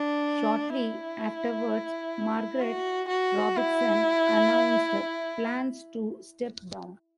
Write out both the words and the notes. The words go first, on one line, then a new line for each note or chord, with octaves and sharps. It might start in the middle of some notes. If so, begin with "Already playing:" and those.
Shortly afterwards, Margaret Robertson announced plans to step down.
Already playing: D4
E4
F#4
F#4
E4